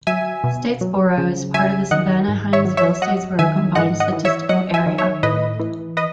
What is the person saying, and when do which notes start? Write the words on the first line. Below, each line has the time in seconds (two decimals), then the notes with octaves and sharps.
Statesboro is part of the Savannah-Hinesville-Statesboro Combined Statistical Area.
0.07 F#3 E5 G#5
0.44 B2
0.81 F#3
1.18 C#3
1.54 F#3 E5 G#5
1.91 D#3 D#5 F#5
2.28 G#2
2.53 C#5 E5
2.65 F#3
2.77 C#5 E5
3.02 F#3 D#5 F#5
3.39 D#3 E5 G#5
3.75 G#2 D#5 F#5
4.00 D#5 F#5
4.13 E3
4.25 C#5 E5
4.49 F#3 D#5 F#5
4.74 E5 G#5
4.86 D#3
4.98 C#5 E5
5.23 A2 B4 D#5
5.60 E3
5.97 B4 D#5